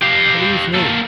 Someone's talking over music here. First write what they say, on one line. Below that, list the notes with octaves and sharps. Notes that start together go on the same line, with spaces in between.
Believe me!
G4 F5
A#3 A4